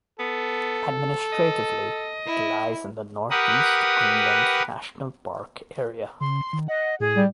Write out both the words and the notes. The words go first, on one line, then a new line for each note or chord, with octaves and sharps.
Administratively it lies in the Northeast Greenland National Park area.
B3 A4
D#5
E4
G4 A#4 B4 F#5 D#6
C#3 C6
C7
D#3
D#5 F#5
A2 G#4
G3